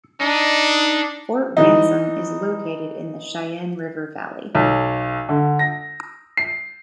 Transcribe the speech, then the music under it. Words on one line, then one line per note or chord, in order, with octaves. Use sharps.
Fort Ransom is located in the Sheyenne River valley.
D4 D#4
E3 D#4
B1
D3
A#6
C7